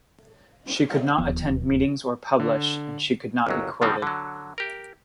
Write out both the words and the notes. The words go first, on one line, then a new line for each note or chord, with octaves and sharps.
She could not attend meetings or publish, and she could not be quoted.
D1 D#2 F3 B3
D3
G1 D#2 F#3
B2 D3 D#3 F3 G3 C4
D3 F#3
G4 A#4